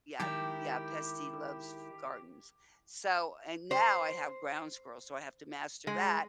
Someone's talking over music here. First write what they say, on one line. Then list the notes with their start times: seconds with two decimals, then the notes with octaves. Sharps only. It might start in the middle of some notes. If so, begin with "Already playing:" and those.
Yeah, yeah, pest he loves f gardens. So, and now I have ground squirrels so I have to master that,
0.20 D#3 G#3 E4 G4
3.71 C5
5.87 G#3